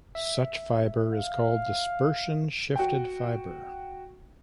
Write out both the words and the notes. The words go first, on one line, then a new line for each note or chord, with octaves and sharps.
Such fiber is called dispersion-shifted fiber.
E5
F5
F#4 G5